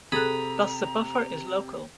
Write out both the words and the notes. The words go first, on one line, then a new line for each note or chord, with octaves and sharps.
Thus the buffer is local.
C3 G#4 A4 A#5 B5 D#6 F#6